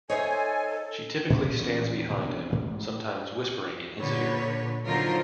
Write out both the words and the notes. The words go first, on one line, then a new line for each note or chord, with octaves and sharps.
She typically stands behind him, sometimes whispering in his ear.
D#4 A4 C5 C#5 E5 G#5
A#2
A#1 E2 B3 C#4
C2 A#2 D#3 G#3
E1 B1 C4 D4
A1 G#2
A#2 D3 B4 C#5
D3 F#3 D#4 F4 A#4 C5